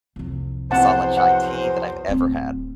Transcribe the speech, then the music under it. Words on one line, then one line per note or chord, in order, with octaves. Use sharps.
masala chai tea that I've ever had.
C2 F2
E2 F#3 C4 C5 F#5 A5
F#5
D1 C4